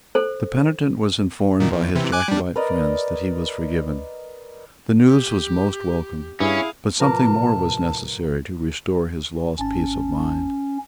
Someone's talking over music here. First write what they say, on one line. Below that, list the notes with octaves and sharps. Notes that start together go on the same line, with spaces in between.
The penitent was informed by his Jacobite friends that he was forgiven. The news was most welcome; but something more was necessary to restore his lost peace of mind.
A4 C5
A#2 D#3
E2
C3 E3
G#5 D6 F#6
G3 D4
A#4 B4 D5 D#5
G4
G2 C#4 E4 G#4 F5
A2 C3 F3 F4 A#4 B4 A5 D6
G#1 C#4 A5